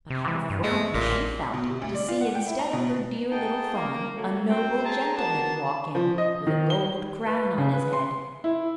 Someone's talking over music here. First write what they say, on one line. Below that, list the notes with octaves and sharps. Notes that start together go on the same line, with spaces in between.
But how frightened she felt to see instead of her dear little fawn a noble gentleman walk in with a gold crown on his head.
C3
E3
G2
G#3 A3
A1 A#2
B2
C3
D2
D5
F4
F#5
G5
E4
A#5
B2
D#4 G#4 F#5 G5 A5
A#3
F#3 A3
F#2 C4 A#4 G5
G#4 A5 A#5
A#3 B3 F#4 A5
F3
D#5
D#3
G7
B4
C#3
B4
C6
E4